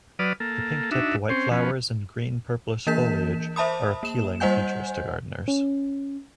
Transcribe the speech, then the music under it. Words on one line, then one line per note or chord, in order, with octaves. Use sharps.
The pink tipped white flowers and green purplish foliage are appealing features to gardeners.
F#3 B4 D5 D#6 F6
A#3 A4
D4 D#4 F#4 E5
C4 C#4 C5
F3 B3 C#4
E3 A#3 A#4 G6 B6 E7
C5 E5 A5 B5 D#6
A#3 E7
G3 C5 D#5 F#5 G#5 G6
C#4